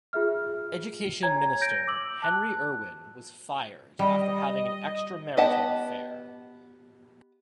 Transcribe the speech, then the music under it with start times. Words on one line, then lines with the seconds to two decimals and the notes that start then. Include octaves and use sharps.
Education minister Henry Irwin was fired after having an extramarital affair.
0.13 F4 G#4 E5 F6
1.23 C#5 G#5 A#5 G#6
1.61 G6 A#6 D7
1.88 D6 E6 F#7
2.22 A5 F#6
3.99 G3 D#5
5.37 B3 G4 D#5 F#5 A5